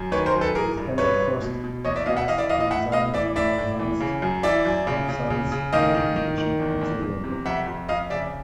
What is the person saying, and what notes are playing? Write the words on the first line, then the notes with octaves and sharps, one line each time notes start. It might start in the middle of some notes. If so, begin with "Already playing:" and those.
The scandal forced Cass to resign and enhanced Thompson's reputation considerably.
Already playing: F#2
D#3 B4 C#5
A#4 C5
F#2
A4 B4
E3 G#4 A#4
G2
G2 B4 C#5
G2
B2
B2
E2 C#5 D#5
D5 E5
B2 D#5 F5
E5 F#5
E3 D#5 F5
D5 E5
E3 D#5 F5
D#5 F5
A2 E5 F#5
A2 D#5 F5
E3 D5 E5
A2 D5 E5
A2
E3
C#3
F#2
E3 D5 E5
F#2
C#3
C#3
C#3
C#3
D#3 D#5 F5
D#3
D#3
D#3
E2
E2
E2
C3
F2 E5 F#5
F2
F2 D#5 F5
C#3 D5 E5